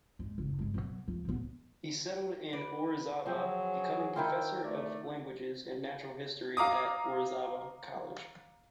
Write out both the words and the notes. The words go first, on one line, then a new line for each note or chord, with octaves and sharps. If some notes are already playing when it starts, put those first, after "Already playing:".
He settled in Orizaba, becoming professor of languages and natural history at Orizaba College.
G#2
F#1
G2 G#3
B2 F#3
F3
A#2 B3
B4 D5
F3 F#3 C4 G#4
D#3 E4 F4 G5
A3 D5
F5 A#5 D6 D#6